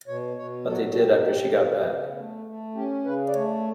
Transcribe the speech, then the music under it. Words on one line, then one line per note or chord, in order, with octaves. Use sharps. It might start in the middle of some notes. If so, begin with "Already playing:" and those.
But they did after she got back.
B2 C#5
B2 C#5
F#3 A4
A4
B2 G4
B2
B3
C#3
A3
A3
C#4 G4
C#3 B4
D5
A3 C#5